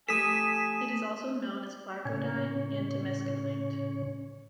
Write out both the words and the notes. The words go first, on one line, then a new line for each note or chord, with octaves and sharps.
It is also known as placodine and Temiskamite.
A3 G4 A4 G#5 D#6 B6 D#7 E7
A2 C#3 C#4 C#5